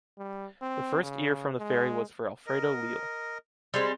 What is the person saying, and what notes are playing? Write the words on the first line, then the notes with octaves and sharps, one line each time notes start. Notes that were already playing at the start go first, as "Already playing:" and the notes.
The first ear from the fairy was for Alfredo Leal.
G3
C4
C#3
G#3
A#4 D#5
G3 G#3 C4